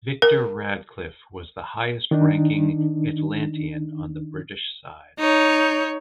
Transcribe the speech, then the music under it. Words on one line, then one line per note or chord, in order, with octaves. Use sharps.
Victor Radcliff was the highest ranking Atlantean on the British side.
A#4
D#3 D4 D#4
D#4 C#5